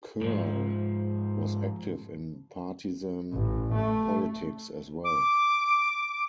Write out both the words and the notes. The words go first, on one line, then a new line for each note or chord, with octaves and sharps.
Kerr was active in partisan politics as well.
G#2 F3
A1
A3
D6